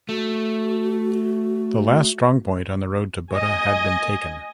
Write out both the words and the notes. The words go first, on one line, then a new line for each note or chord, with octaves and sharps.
The last strongpoint on the road to Buda had been taken.
A3 F#4
D#5 G#5